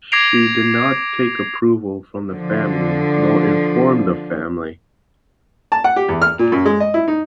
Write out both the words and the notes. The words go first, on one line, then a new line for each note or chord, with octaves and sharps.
She did not take approval from the family nor informed the family.
D6 G#6 A#6 C7 D7 F7
D3 F3
A5
F#5
G4
E2
F6
A#2
F#2
G#3
D#5
E4
D#4